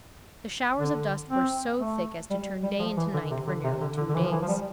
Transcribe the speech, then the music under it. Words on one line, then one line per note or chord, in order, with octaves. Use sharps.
The showers of dust were so thick as to turn day into night for nearly two days.
D3
C4
A3
G3
G3
F3
E3
D3
C3
D3
C3
D3
D3
D3
E3
F3
E3
F3
G3